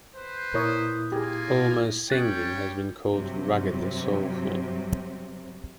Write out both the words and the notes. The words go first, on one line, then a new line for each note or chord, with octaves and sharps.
Ulmer's singing has been called "raggedly soulful".
B4 C5
A#2 E4 A#4 C#5 D#6
A#3 F4 G4 G#4 G#5
G3 C#4 C#5 G5 F#6 A6
G2 C3 F#3